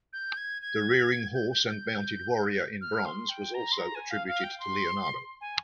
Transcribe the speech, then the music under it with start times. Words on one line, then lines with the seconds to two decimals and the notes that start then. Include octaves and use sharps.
The Rearing Horse and Mounted Warrior in bronze was also attributed to Leonardo.
0.13 G6
0.37 G#6
0.62 G#6
1.35 G6
1.51 G6
1.68 G6
2.81 F6
3.05 C6
3.29 G5
3.54 A#5
3.72 C6
3.78 A#5
3.95 G#5
4.11 F5
4.27 F5
4.44 G5
4.60 C6
5.41 G#5